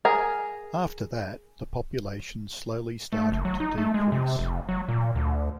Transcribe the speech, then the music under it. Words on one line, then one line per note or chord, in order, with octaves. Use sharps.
After that, the population slowly started to decrease.
G#4 A#4
A3
F#1
F#3
D#4
A3
G#3
C3
F1
F#3
A#2
D2